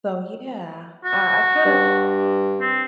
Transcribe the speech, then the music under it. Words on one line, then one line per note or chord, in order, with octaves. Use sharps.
So, yeah, I I kinda
F#4
G2
C4